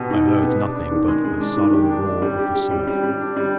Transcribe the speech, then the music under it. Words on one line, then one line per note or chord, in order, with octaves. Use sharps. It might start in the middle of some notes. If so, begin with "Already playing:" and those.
I heard nothing but the sullen roar of the surf.
Already playing: B2 G4
D#4
G4
B3
D4
D4
D#3
G#3
G#3
D4
D#3
G4
D4
D4
G3
G4
G4
G3
G3
G3
D4
G3